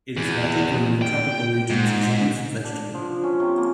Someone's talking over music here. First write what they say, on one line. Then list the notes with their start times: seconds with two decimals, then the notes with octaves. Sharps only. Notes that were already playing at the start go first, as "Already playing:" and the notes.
It is widely grown in tropical regions as a leaf vegetable.
0.17 E2
1.02 G5
1.70 G#2
2.64 D4
2.94 F3
3.24 C#4
3.40 C3
3.58 A#3